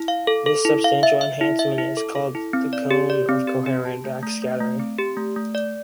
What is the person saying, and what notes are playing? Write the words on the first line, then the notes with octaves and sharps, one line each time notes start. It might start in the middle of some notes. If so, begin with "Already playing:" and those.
This substantial enhancement is called the cone of coherent backscattering.
Already playing: E4
F5
A4
A4
E4
F5
E5
E5
E4
E5
E4
A4
A4
E4
C4
D5
G4
D5
C4
G4
G4
A5
A3
A3
A3
A3
C4
G4
A3
A3
D5